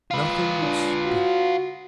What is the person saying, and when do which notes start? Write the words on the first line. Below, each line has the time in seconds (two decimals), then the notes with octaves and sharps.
Nothing would speak.
0.11 F4 B4
0.62 D4
1.05 F#4